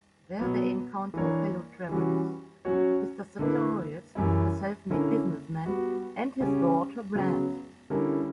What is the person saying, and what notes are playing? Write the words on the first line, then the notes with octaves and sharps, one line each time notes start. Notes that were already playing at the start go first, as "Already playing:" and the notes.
There, they encounter fellow travelers: Mr Sartorius, a self-made businessman, and his daughter Blanche.
B2 F#3 B3
E3 A#3 D4 A#4 C#5
E3 G3 C#4 F#4
F#3 C#4 F#4 C#5
D3 A#3 E4 B4
F#2 E3 G3 C#4 E4
D3 A#3 C#4 E4 A#4
G3 B3 F#4
C#3 G3 C#4 G4
C#3 F#3 B3
D3 G3 C#4 E4 A#4